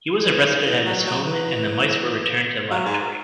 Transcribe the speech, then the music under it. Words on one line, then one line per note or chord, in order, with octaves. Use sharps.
He was arrested at his home and the mice were returned to the laboratory.
E3
D#3
E3
F#3
F#3
E3
F#3
G#2